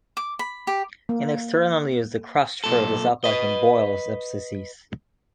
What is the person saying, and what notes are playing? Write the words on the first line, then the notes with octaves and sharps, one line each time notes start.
In external use, the crushed fruit is applied on boils, abscesses.
D6
B5
G4
A#3
B1 A#2 A4
B4 D#5